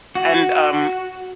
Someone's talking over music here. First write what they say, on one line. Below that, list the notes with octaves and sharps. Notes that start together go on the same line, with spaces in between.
And, um,
F#4